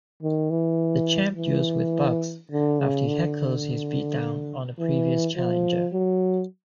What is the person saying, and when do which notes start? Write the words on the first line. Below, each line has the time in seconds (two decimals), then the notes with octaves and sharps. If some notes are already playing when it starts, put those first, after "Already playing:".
The Champ duels with Bugs after he heckles his beatdown on a previous challenger.
0.23 D#3
0.51 E3
1.36 E3
2.51 D3
2.80 C#3
3.08 D3
4.79 E3
5.36 F3
5.93 F#3